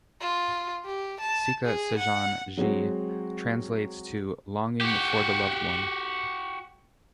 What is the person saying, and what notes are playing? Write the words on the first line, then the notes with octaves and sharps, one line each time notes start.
Sika Sajan Jee translates to ‘"Longing for the Loved One"’.
F4
G4
A5
G#4
F#5
F#3 G#3 C4 F#4
F#4 G4